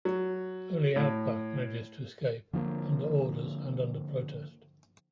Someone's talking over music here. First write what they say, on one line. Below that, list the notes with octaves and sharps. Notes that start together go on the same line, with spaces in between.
Only Outback manages to escape, under orders and under protest.
F#3
A2
D3 F3 A3 A#3